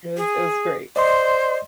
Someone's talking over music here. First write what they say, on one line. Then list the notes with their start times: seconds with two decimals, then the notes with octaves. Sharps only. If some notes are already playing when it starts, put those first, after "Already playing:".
It was it was great.
0.17 G#4
0.96 C5 D5 D#5 C6